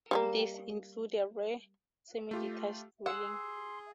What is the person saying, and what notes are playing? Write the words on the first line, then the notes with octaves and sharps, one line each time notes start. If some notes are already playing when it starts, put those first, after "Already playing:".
These include a rare "semi-detached" dwelling.
G3 G#3 A#3
A3 F4 G4
G#4 F#5 C6 E6